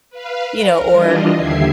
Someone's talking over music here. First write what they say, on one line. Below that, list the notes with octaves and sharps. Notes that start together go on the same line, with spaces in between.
You know, or,
B4 F5
A#4
E3 G3 D4 F4 D#5
D#2 D3 G4 E5 G#6 C7